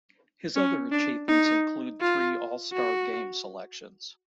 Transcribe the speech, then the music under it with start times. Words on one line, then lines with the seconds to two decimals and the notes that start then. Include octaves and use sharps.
His other achievements include three All-Star Game selections.
0.56 C#4
0.92 D4
1.28 D#4
2.01 F4
2.73 F#4